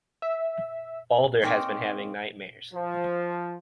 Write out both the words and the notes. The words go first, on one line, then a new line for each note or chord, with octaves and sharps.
Baldr has been having nightmares.
E5
A#3 C4 C#4 D#4
F3